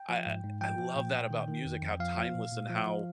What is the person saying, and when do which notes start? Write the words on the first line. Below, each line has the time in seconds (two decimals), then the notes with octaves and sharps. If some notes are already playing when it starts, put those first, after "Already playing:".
I I I love that about music, how timeless and how
Already playing: G5
0.09 F3
0.26 G#2
0.43 G#2
0.61 F3 G5
0.78 F3
0.96 A#2
1.13 A#2
1.30 D#3
1.48 D#3
1.65 F2
1.83 F2
2.00 F3 F5
2.17 F3
2.35 A#2
2.52 A#2
2.70 F3
2.87 F3